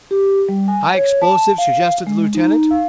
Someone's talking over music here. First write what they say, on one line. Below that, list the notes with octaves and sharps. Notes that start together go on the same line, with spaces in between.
"High explosive?" suggested the lieutenant.
G4
G3
G#5
C#5
A5
F5
G#3
D#4
F5